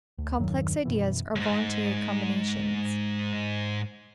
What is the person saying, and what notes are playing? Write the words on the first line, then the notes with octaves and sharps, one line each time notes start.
Complex Ideas are voluntary Combinations.
D2
E2 G2 D#3 F#3
F#2 B2 E3
C#2 G#2